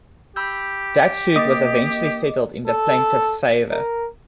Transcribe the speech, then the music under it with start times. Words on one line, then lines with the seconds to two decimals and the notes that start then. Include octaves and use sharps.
That suit was eventually settled in the plaintiffs' favor.
0.36 G4 B5 E6 G6
1.36 A#3 D#5 D6 A6
2.67 A4
3.70 A#4